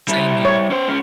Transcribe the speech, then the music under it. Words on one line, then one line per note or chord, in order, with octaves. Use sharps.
Same here.
G3 E4
C#5
C#4 C5
G#3 C#4